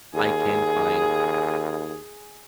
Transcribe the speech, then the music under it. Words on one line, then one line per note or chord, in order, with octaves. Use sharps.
I can find
D#2 G#4